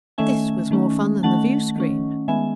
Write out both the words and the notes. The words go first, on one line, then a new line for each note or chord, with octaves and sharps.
This was more fun than the viewscreen.
D#3 A3 C#4 E5 G#5
D#3 A3 C#4
D#3 A3 C#4 F#5 A5
D#3 A3 C#4
D#3 G#3 B3 E5 G#5